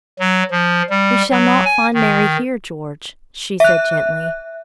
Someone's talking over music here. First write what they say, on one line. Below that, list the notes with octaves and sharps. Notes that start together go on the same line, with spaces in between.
"We shall not find Mary here, George," she said, gently.
F#3
F3
G3
F#3
G#5
D#3
E5 F#6